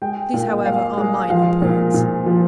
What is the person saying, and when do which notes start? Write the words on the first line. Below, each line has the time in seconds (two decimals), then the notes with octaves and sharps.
These, however, are minor points.
0.02 G#3 G5
0.34 A#2
0.65 G#3 F5
0.97 G#3
1.30 F3 F5
1.62 A#2
1.94 A#2
2.26 F3